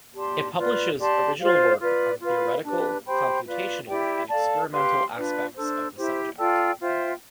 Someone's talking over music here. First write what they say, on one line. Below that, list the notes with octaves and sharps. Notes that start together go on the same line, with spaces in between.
It publishes original work on theoretical, computational, and experimental aspects of the subject.
G4 D5 A5 C6
F4 B4 D5
G4 D5 A5 C6
F4 C5 F5
F4 B4 D5
F4 B4 F5 B5
D4 G4 B4
G4 C5 G5 B5
F4 B4 D5
E4 G4 D5 G5
A4 D5 F5 A5
G4 B4 F5 C6
D4 F4 B4 D5
D4 A4 C5
E4 G4 C5
F4 A4 D5 G5
F4 C5 E5 G5